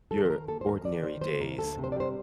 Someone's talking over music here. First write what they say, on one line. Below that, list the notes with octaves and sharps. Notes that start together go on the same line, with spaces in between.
your ordinary days
D#2 A4
C5
D#3 A#4
A#3 A4
C5
D#2 A#4
D#2 D5
D#3 C5
A#3 C5
D#2 A#4
D2 A4
C3
C5
D5
G3 C5